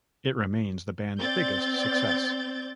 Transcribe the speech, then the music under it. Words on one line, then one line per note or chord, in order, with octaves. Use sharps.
It remains the band's biggest success.
C4 D5 G6 A6